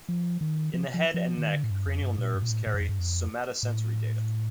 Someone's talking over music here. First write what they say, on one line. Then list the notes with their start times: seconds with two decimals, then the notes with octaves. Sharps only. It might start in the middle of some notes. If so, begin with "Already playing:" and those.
In the head and neck, cranial nerves carry somatosensory data.
0.09 F3
0.41 D#3
0.74 F3
0.94 F3
1.14 F3
1.38 D#3
1.54 D3
1.64 A2
1.70 G2
1.86 F2
2.02 G2
2.18 A#2
2.35 G2
2.42 A#2
2.50 A2
2.67 A2
2.74 G2
2.81 F2
2.89 G2
2.99 F2
3.63 A2